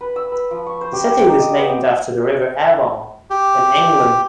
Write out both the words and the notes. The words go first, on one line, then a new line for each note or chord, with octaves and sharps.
The city was named after the River Avon, in England.
B4
E6
B4
F3
C#6
C5
G4
G4
D#4
D#5
B3
G4
G4